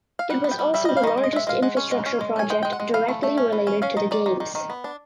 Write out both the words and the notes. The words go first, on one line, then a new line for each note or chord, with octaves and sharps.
It was also the largest infrastructure project directly related to the Games.
F5
G3 F#5
B3
G5
G3
G3 E5
G3 D#5
F5
D#3 D#5
G#3
D#5
G#3 E5
G#3 F5
G#3 F#5
C#4
G#3
C#4
G#3
C#4 G#5
G#3 G5
G#3 G5
F#5
G#3
E3 F5
A3
A3
C#4
E3
C#4
C#4 F5
D#3 D#5
D#3 D5
D#3
D#3
D#3
B3
D4